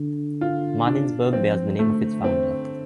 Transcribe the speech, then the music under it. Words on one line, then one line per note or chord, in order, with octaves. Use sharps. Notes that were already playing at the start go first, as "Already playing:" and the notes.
Martinsburg bears the name of its founder.
Already playing: D3
F4
D4
F3 C4
D3 A3
C4